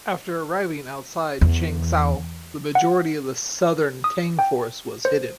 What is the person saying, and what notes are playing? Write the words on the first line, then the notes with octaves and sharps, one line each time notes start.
After arriving outside Changzhou the majority of the Southern Tang force was hidden.
E2
F#5
D#6
G5
C5